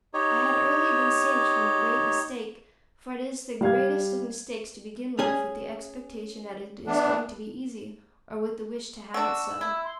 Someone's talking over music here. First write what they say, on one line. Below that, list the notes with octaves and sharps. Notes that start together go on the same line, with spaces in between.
I had early been saved from a great mistake; for it is the greatest of mistakes to begin life with the expectation that it is going to be easy, or with the wish to have it so.
D#4 G4 C#5
G3 F5 G#6
C#4 G#4 G#5
E3 B3 D4
D4 F#4 E6
E4
C6